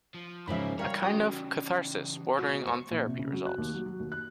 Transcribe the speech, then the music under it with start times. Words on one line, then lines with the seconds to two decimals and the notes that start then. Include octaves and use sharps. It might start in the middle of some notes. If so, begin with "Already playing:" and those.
A kind of catharsis bordering on therapy results.
0.14 F3
0.48 G#2 C#3 F3 A#3 E5 B5
0.79 G3 A#4 C#5 F5
1.02 C#3 E3 F#4 G5 D#6
2.39 G#2 B2 F#4
2.67 C5 C#6
2.91 A#1
3.07 C3
3.19 C#3
3.33 F#3
3.46 F#6
3.58 D#2
3.75 F#3
3.86 F#3
4.00 D#2
4.12 F#6